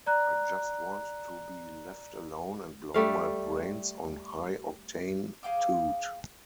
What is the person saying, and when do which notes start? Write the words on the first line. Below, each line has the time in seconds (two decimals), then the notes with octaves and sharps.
I just wanted to be left alone and blow my brains on high-octane toot.
0.06 D5 A#5 F#6
2.94 G3 A3 F5
5.43 G#4 F5 G5 D6